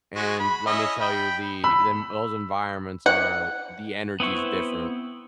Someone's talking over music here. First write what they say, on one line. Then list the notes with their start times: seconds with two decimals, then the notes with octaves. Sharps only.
and let me tell you, the the those environments are the energy is different.
0.16 G#3 F#4
0.39 B5
0.66 C#4 E4 D#5
1.01 G5 B5
1.64 B5 E6
3.06 F#5
4.20 B3 C4 E4 C#6